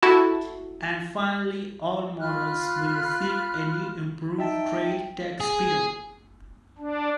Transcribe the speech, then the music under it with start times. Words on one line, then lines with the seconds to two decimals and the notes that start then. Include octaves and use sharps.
And finally all models will receive a new improved Trail Tech speedo.
0.02 E4 F#4 A4 A5
2.21 F4 B5 F6 F#6
4.38 D#4 E5 G5 A5
5.40 G#4
6.78 D4